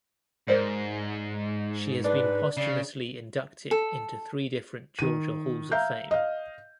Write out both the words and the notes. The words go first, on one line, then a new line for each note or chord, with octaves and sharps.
She has been posthumously inducted into three different Georgia halls of fame.
G#2 A#4 C5 D5
D4 B4
C#3 D5
A4
D#3 D#7
E5 F5 A#5 G6
D#5 F5